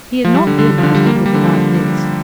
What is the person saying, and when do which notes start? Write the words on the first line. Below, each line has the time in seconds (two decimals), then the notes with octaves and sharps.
He had not realized it would be like this.
0.24 F3
0.34 G3
0.47 D3
0.59 D3
0.71 D3
0.78 F3
0.83 D3
0.95 G3
1.06 A#3
1.15 G3
1.26 G3
1.34 D3
1.43 F3